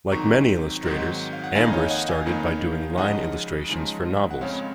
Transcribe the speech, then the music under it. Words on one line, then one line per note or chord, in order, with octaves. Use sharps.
Like many illustrators, Ambrus started by doing line illustrations for novels.
G#2 D#3 F#3 C4 D#4 A#5 C#6
G#2 D#3 F#3 C4 D#4
F5
F#5
F2 D#3 A#3 D#4 F5 G#5
D#5
C#5 F5
D#5 F#5
F5 G#5
F2 D#3 A#3 D#4
C#3 F3 G#3 D#4 D#5 F#5
C#3 F3 G#3 D#4
F#5
F2 C#3 G#3 C4 C#5 F5